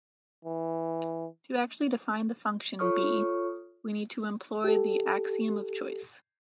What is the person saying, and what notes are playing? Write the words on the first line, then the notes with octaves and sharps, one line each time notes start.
To actually define the function "b", we need to employ the axiom of choice.
E3
F4 A4 C#5 C#6 D#6 F6
G4 A4